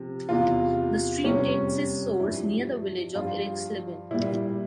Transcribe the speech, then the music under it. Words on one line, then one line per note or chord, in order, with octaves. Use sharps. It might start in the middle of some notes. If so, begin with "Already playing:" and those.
The stream takes its source near the village of Irxleben.
Already playing: C3 F3
E2 C3 E3 F4
F2 C3 G3 C#4
G2 F3 E4
G2 F3 F4
A#2 G3 E4